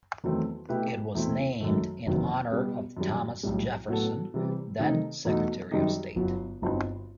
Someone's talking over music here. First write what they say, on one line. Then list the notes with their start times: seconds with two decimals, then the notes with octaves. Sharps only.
It was named in honor of Thomas Jefferson, then Secretary of State.
0.24 E2 D#3 F#3 A3 C4
0.69 B2 A3 E4 G4 B4
1.15 E2 B2 A3 C4 E4
1.61 F#2 D#3 A3
2.06 F#1 E2 C3 D#3 F#3
2.51 B2 G3 B3
2.97 F#2 D#3 G3
3.43 B1 A2 G3
3.88 A2 F#3 B3 F#4 A4
4.34 C3 E3 G3
4.79 C3 D#3 A3 D#4
5.25 E2 B2 A3 D#4 F#4
5.71 F#2 D#3 G3 D#4 G4
6.16 G1 F#2 F#3 B3
6.62 G1 G2 F#3 C4 D#4